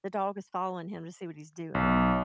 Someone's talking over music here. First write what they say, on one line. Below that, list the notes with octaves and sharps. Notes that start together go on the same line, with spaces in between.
the dog is following him to see what he's doing.
B1